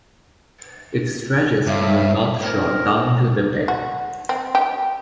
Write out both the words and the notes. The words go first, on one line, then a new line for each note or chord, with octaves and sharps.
It stretches from the North Shore down to the bay.
G2 C#5 E5 F5
C4 A#4
F#4
C4
G4